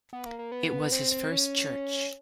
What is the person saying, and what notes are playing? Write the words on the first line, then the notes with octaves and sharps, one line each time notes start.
It was his first church.
B3
A#3
A#3
B3
C4
C4
C#4